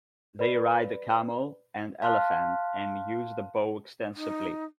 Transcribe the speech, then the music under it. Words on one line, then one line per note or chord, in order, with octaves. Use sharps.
They ride the camel and elephant, and use the bow extensively.
B4 D5 B5
F5 A5 C6 F6 F#6
D#4